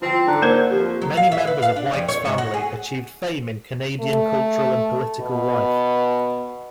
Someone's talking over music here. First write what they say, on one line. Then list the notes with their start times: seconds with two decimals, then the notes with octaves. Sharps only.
Many members of White's family achieved fame in Canadian cultural and political life.
0.02 E3 F3 C4 F4 G5
0.27 G#2 D3 A5 A#5 F#6
0.42 A#3 A#4 C5
0.71 F2 F3 G4
1.02 F#3
1.17 F5
1.32 E5
1.47 B4
1.62 F5
1.76 D4
1.93 F2
2.08 C#5
2.25 G#2
2.38 F#4
2.54 G#4
4.01 A3
5.21 B2